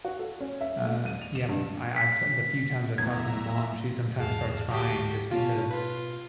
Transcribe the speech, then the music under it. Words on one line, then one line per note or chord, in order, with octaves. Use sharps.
uh yeah, m I I've t the few times I've talked to my mom, she sometimes starts crying just because
F#4
A4
C#4
E5
A3
D#7
F7
E7
G2
B6
B1 E2 A2 F#3 G3 E5 A#5 G#6
E2 G#2 G#4 F5 A5
D2 F#4 G4 A5
B2 C#4 F4 A5
F4 B4